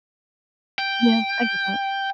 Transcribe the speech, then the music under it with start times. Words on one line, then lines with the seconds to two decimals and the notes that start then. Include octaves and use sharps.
Yeah, I get that.
0.79 G5